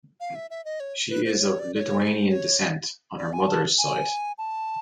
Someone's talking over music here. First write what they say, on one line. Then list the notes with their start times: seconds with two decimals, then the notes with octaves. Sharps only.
She is of Lithuanian descent on her mother's side.
0.20 F5
0.35 E5
0.50 E5
0.65 D#5
0.80 C#5
1.10 B4
1.25 C5
1.40 C#5
1.59 D5
1.75 D5
1.80 C#5
1.99 C5
2.29 C#5
3.18 D5
3.33 G#5
3.48 A5
3.79 G#5
4.38 A5